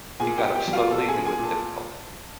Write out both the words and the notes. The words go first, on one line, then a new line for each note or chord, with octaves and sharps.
He got up slowly and with difficulty.
A#2 G#4 G#5
G4 G5
A#2
G4 G5
F#3
F4 F5
A#2 A4 A5
G#4 G#5
A#2
G#4 G#5
A#2
A5